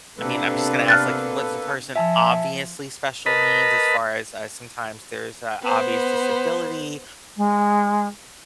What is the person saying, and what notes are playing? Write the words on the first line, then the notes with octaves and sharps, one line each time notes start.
I mean, I'm just gonna ask, like, was the person obviously special needs as far as uh, sometimes there's a obvious disability
C3 A#3 B3 D4 A4 B4
F6 F#6 A6
F3 E5 G#5 A5
A#4 B4 D#5 A5 B5
B3 C5
G#3